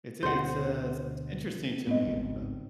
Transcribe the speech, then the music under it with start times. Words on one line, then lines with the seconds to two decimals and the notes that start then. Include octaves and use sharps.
It's a it's a s interesting to me, but
0.23 D2 B2 D3 C5 F#5
1.87 A2 B3 C4 D#5
2.05 G#1 C#2 D#3